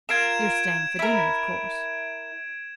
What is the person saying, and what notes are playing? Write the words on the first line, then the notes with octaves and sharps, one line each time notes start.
"You're staying for dinner, of course?"
F4 A#4 G#6 D7 E7
E4 A#4